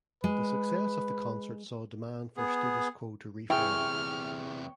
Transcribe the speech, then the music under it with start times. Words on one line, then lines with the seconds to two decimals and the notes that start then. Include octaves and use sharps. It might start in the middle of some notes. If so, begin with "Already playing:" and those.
The success of the concert saw demand for Status Quo to reform.
0.24 G#3 B4
2.37 B3 G#4
3.50 E2 C3 E4 G#4 C#5 G5 F6